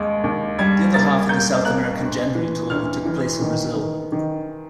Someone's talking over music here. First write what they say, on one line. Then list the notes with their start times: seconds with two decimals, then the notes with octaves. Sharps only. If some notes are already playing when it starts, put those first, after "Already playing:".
The other half of the South American January tour took place in Brazil.
Already playing: D#2 G#3
0.24 D#2
0.59 G3 G#6
0.94 A#3 A6
1.29 A#3 G6
1.65 A#3 F#6
2.00 D2
2.35 E3
2.70 D2 F6
3.05 E3
3.41 D#3
3.76 D#3
4.12 D#3